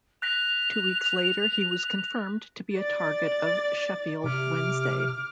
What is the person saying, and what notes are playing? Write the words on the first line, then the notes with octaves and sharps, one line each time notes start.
Two weeks later he was confirmed to be a target of Sheffield Wednesday.
F#6 A#6 B6 F7
D5 A6
C3 D6 F6